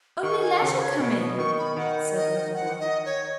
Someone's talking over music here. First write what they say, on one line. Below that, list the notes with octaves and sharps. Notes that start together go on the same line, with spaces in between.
"Only let her come in!" said the little boy.
D#3 C#6
G#5
G#5
C#3 F#5
B4
C#5
B2 C#5
D#6
D#3 C#6
B5
D#3 F#5
D#5
F#5
D#5
C#5